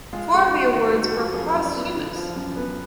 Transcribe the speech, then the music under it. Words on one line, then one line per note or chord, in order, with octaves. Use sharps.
Four of the awards were posthumous.
G#3 F4
F2 G#4
F#4
D#4
D#3 F#4
F#4
G#3
F#4
F2
F#4
F3 G#4
F#2
D5
B3
D3
F3
F#2
B3